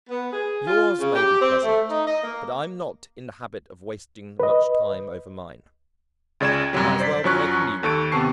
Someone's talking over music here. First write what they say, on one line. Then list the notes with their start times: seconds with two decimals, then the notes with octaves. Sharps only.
Yours may be pleasant, but I'm not in the habit of wasting much time over mine. Might as well be making new ones ...
0.10 B3
0.33 G#4
0.67 F4
1.00 C#3
1.16 G4
1.41 C4
1.63 A3
1.90 D#4
2.07 D#5
2.24 A#3
4.40 B4 D#5
6.40 C#2 C#3 D5 G#6 E7
6.73 F#2 C3 F#3 G3
7.00 C5 D5 B6
7.24 F#2 F3 F#3 C#4 C#6 F#6
7.83 D#2 A4 C#6 D7
8.12 D#2 C3 B3 A5 C#6 C7